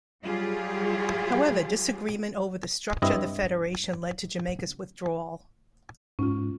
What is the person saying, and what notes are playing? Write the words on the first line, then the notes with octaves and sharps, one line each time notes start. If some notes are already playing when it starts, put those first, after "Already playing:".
However, disagreement over the structure of the federation led to Jamaica's withdrawal.
F#3 G3 F4 G4 G#4
G2 C4 E4 D#5
G#2 C#4 F4